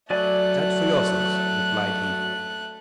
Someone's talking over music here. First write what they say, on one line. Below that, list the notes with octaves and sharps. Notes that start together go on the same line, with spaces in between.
"Judge for yourself," replied he.
F#3 A3 D5 G#5 F#6